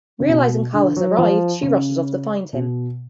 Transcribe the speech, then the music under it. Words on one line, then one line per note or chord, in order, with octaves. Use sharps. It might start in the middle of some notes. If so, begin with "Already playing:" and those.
Realizing Carl has arrived, she rushes off to find him.
C#3
B2
D3
F#3
F3
C#3
B2